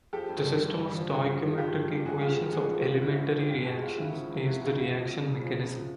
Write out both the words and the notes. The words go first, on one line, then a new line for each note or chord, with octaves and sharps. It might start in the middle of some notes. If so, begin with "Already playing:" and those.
The system of stoichiometric equations of elementary reactions is the "reaction mechanism".
F3 G4 A4
G2
D3
G2
D3
F3
G2 F#4 G#4
F3
F3
G2 F4 G4
G2
G2
G#2 F#4 G#4
F3 F4 G4
G#2
F3 F#4 G#4
F3
F3
G#2 E4 F#4
G#2
F3
G#2 F4 G4
G#2 F#4 G#4
G#2 F4 G4
C#3 E4 F#4
F3
C#2
C#2 E4 F#4
C#2
C#2
F3
C#2
C#3
F3
C#2